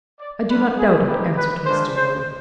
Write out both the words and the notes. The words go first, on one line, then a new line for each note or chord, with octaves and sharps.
"I do not doubt it," answered Mr. Lorry.
D5
B3 D4 F4 B4
G#4
G#3 C4 D#4 G4 B4
B4
G#3 D4 F4 C5
C5